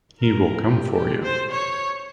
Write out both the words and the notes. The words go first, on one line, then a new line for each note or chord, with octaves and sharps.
He will come for you.
A#4
G4
G4
C5
C#5